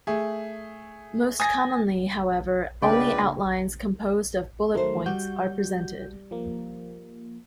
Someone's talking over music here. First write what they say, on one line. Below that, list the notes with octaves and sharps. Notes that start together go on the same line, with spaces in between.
Most commonly, however, only outlines composed of "bullet points" are presented.
A3 G#4
G#5 D#6 A6 A#6
C#2 C#3 A#3 D4 B4 D5 G5
D#3 F#3 A3 A#4 C5
G3 F#4 G6
F3 A#3